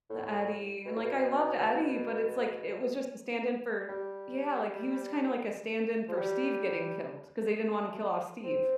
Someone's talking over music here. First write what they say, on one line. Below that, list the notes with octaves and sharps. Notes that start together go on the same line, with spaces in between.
The Eddie, and like, I loved Eddie, but it's like, it was just a stand in for yeah, like, he was kinda like a stand in for Steve getting killed 'cause they didn't wanna kill off Steve.
A2
B2
A2
B2
G3
F3
G3
A3
C4